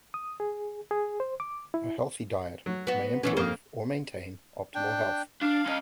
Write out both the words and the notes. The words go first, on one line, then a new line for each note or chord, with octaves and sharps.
A healthy diet may improve or maintain optimal health.
D#6
G#4
G#4
C5
D6
E4
F#3
B3 F#4
E3 G#3 B3 C#4
F2 A#3 C5 D#6
D4 G5
D4 F5
C#4 D#5